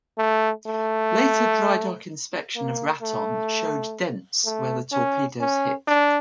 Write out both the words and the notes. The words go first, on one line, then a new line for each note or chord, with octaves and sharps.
Later dry-dock inspection of Raton showed dents where the torpedoes hit.
A3
A3
A#3
A3
A3
C#4
C#4
D4